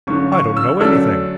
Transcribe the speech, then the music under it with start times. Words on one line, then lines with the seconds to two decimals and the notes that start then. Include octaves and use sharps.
I don't know anything.
0.07 G1 F#2 D3 C#6
0.32 C#6
0.57 E6
0.80 F#2 D3 F#3 A3 D4 E6